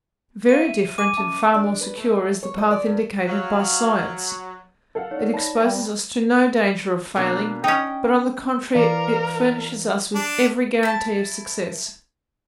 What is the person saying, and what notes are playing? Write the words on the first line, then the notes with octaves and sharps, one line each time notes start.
Very different, and far more secure, is the path indicated by SCIENCE; it exposes us to no danger of failing, but, on the contrary, it furnishes us with every guarantee of success.
F#4 C5 F5 D#7
E5
G#5 D6 D#7
C#4 E5 A5
D4
B4
A3
C#5
D#5
D5
G2
F#3 F5
F#3 A4 F5 F#5
D#4 C#5 D5
A5 B5 A#6
G3 G5
B2 A#3 D4
C#4 D#4 D#5 G5
E3 A#4 D5 F5
D4
E4 A5